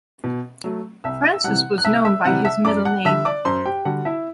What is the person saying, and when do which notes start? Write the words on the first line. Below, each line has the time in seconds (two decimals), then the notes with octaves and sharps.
Francis was known by his middle name.
0.24 B2
0.64 F#3 A3
1.04 C2 E5 E6
1.34 E6
1.44 C3 E3 G3 F#5 F#6
1.78 F#6
1.84 C2 E5 E6
2.05 E5 E6
2.25 C3 E3 G3 F#5 F#6
2.45 E5 E6
2.65 F#2 D5 D6
2.85 F#5 F#6
3.05 D3 G3 E5 E6
3.25 D5 D6
3.45 F#2 C5 C6
3.66 G4 G5
3.85 D3 G3 F#4 F#5
4.05 E4 E5